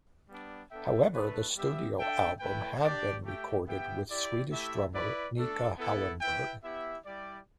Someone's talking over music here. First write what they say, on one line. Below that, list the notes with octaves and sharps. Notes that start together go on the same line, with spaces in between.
However, the studio album had been recorded with Swedish drummer Nicka Hellenberg.
G3 B3 D4
B3 D4 A4 E5 G5
A3 D4 B4
G3 B3 G4 E5
D4 A4 E5 G5
A3 E4 B4 G5
D4 G4 D5 G5
A3 G4 E5 G5
B3 G4 E5 G5
E4 G4 D5
A3 E4 G4 E5
E4 B4 D5
A3 D4 A4
B3 E4 A4
E4 B4 E5 G5
B3 E4 G4 E5
G3 E4 G4 D5